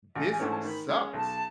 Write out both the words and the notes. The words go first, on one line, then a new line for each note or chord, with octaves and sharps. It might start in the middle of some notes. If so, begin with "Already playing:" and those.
"This sucks."
A1 F#5
G#5
G#2 E3 A3 C#4
A5
D#3 B5
G#3 C#4 G#4
B1 A5